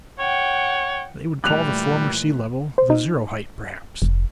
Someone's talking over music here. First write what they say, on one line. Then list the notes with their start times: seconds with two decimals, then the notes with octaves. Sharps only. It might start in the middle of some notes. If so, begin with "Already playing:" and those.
They would call the former sea-level the zero-height, perhaps.
0.19 C#5 F#5 G5
1.44 A#2 E3 G3 A3 F#6 F7
2.78 C5
2.90 D#4
4.02 F1